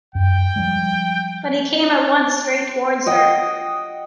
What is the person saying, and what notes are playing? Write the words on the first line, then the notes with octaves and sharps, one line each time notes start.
But he came at once straight towards her.
F#2 G5
F3 G3 G#3
D#5 F#5 G5